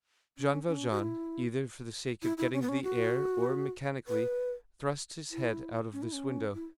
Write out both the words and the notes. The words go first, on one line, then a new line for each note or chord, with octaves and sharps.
Jean Valjean, either for the sake of getting the air, or mechanically, thrust his head out of this window.
C#4
C#4
F#4
E4
E4
E4
C#4
B3
C#4
F#4
B4
E4
C#4
E4
C#4
E4